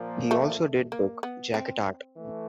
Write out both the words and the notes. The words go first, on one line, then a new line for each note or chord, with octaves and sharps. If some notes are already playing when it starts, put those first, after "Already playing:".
He also did book jacket art.
Already playing: A#2 F3 A#3
A3
A#3
B3
C4
E3 A3